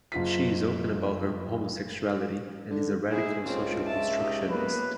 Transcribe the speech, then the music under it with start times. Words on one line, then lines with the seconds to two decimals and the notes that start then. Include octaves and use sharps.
She is open about her homosexuality, and is a radical social constructionist.
0.12 F#1 F4 B6
2.70 D3
3.10 G#2 E4 G#4
3.46 C#2 C4 F4
3.87 E5 A5
4.17 D#4 G4
4.49 A#3 B3 B4